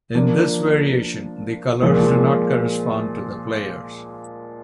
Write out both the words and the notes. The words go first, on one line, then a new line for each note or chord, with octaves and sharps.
In this variation the colours do not correspond to the players.
F3 A#3 D4
A#2 F3 G#3